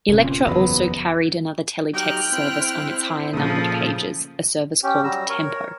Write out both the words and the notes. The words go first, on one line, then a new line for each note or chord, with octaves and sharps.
Electra also carried another teletext service on its higher-numbered pages, a service called "Tempo".
D1 C3 C#4
A#2
F#1 E2 F3 F#3 B3 B5
F#3 D#4 G4 G5 F6 F#6
C4 E4
A#2 C#3 F3 A4 D#6
C#4 G4
F#3 G3 A#5 E6
A#4 C#5